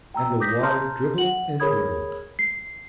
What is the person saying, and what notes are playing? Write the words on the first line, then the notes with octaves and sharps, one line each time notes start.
And the water dribbled and dribbled.
G5 A#5 E6
D6 D#6 G6 A#6 B6
A5 A#5 C6 F6 G6
F#5 F#7
G#4 A#4 C#5 B5 D#6 G#6
C7